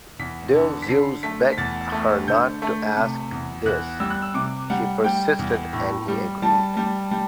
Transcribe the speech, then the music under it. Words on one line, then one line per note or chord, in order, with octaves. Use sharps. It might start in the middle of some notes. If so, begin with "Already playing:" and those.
Though Zeus begged her not to ask this, she persisted and he agreed.
E2 B6
D3
B6
D3 C7
A3 B6
B6
E2 A6
A3
D3 G6
A3
C3
E2
E2 F#6
G3 E6
F#6
E6
C3 D6
G3 F#5
G3 G5
E2
A2
G3
G3 A5
G3
G3